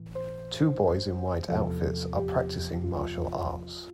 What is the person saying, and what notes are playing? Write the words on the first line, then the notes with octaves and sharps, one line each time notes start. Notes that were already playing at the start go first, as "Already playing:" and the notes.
Two boys in white outfits are practicing martial arts.
Already playing: A2 E3
C5
E2 C3 F3 A4
G4
F4